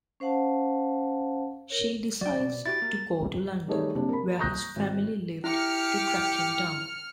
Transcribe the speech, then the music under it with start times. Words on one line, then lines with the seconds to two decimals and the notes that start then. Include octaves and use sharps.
She decides to go to London, where his family lived, to track him down.
0.20 C#4 C5 F5 F#5 A5
1.70 A#4 C#5
2.21 F#3 D5 G5
2.36 D#2 B2
2.66 E4 F#4 G4 A6
2.82 A#3
3.68 D#3 G3 A3 D#4 G#4 C#5
3.95 F#1 C3 D4
4.09 A#4 B5
4.39 A#5 C#6 D#6 F#6 G6 A#6
4.76 G#1
5.44 E4 G4 F6 C#7